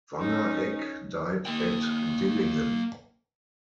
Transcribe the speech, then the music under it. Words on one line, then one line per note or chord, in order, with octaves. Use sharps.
Wangereck died at Dillingen.
C#4 D#4
A#3 G5